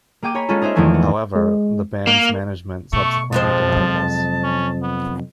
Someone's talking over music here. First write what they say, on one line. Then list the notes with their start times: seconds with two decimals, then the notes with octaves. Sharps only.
However, the band's management subsequently denied this.
0.22 A#3 G#4 G5 D6 D#7
0.34 G#4 C#5 G#5 A#5 B5
0.49 G#3 C#4 F4 G#4 A4
0.62 D#4 G#4 A#4 C5 E5
0.76 E2 D#3 F3 A3 B3 G#5
0.94 B3
1.36 G#3
2.07 A#3 A#4
2.93 B2 A3 C#6
3.33 F2 F3 G#3 C5 A5
3.72 C3 F#3
4.44 C#4
4.82 B3